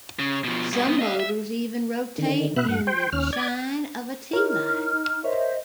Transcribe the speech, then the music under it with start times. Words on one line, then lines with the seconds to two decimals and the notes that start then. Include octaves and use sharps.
Some motors even rotate in the shine of a tealight.
0.19 C#3
0.44 B2 F3
0.73 G2 B2
0.86 C2 B3
0.99 D#5 F5
1.20 E5
2.18 D3 D#3
2.56 B2 B3 E5 F#6
2.69 G2 F#5
2.87 C5 G5
3.12 D#2 C#4 F6
3.33 D5 G#6
4.33 D#4 E4 A#4 C#5 F6
5.24 A#4 C5 C#5 D#5 E5